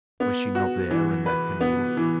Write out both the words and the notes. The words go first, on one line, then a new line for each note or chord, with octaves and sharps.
Was she not there in that canoe?
B3
F#4
E3
B4
B3
E3